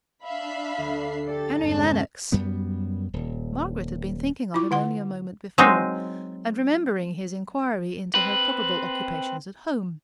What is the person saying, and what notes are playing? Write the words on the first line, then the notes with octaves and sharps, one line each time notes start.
Henry Lennox.' Margaret had been thinking of him only a moment before, and remembering his inquiry into her probable occupations at home.
D4 E5 F5 B5 C7
D2
G4 A4 D5 A6
G1 E2 C3 G#3 C#4 A5
F#2 G3 B3
D#1
E4 F4 D6
D3 F#5 C6
F#3 G#3 C4 D#4
C4 B4